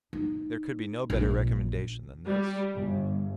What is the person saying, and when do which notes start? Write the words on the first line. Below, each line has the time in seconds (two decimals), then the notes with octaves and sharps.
There could be no better recommendation than this.
0.13 D#4
1.10 A#1
2.27 G3
2.75 G1